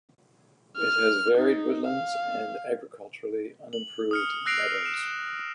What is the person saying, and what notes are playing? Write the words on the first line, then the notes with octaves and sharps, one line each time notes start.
It has varied woodlands and agriculturally unimproved meadows.
F6
D#4
F5
F#7
D#6 F6 C#7
E6 F#6 A#6 C7 D7 F7
E7